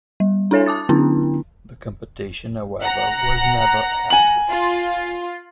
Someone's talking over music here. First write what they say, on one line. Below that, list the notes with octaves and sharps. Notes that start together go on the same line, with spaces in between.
The competition, however, was never held.
G3
D4 E4 A4 C#5 E5 G#5
A5 D6 D#6 A6
D3 B3 C#4 D4 E4
F#5 A#5
G#5 F#7
F4